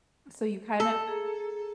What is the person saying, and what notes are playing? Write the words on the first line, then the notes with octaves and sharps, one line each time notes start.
So you kind of
A4
G#4 A#5